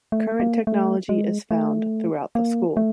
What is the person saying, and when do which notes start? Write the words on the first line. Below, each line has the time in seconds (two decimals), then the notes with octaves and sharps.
Current technology is found throughout the school.
0.12 A3
0.40 A#3
0.67 A3
1.09 G#3
1.51 A3
2.35 A#3
2.77 A3